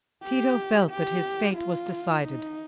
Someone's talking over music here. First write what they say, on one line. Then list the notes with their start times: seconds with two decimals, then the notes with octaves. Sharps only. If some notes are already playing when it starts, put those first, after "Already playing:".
Tito felt that his fate was decided.
0.23 G4
0.89 G4
1.55 F4
2.21 D#4